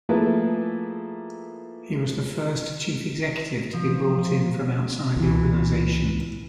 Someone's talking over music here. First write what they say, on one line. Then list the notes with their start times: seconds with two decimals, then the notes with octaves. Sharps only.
He was the first chief executive to be brought in from outside the organization.
0.09 F3 A3 A#3 E4 G#4 B4
3.73 F3
5.16 C#2 E3